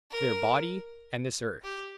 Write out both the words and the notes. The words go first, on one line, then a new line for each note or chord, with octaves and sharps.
To their body and this earth.
A#4
G4